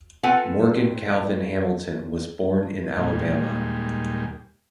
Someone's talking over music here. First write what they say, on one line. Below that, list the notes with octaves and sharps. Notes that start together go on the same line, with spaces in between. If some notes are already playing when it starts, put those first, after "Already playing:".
Morgan Calvin Hamilton was born in Alabama.
C4 F4 A4 B4 F#5 G#5
D#2 A#2 G3 G#3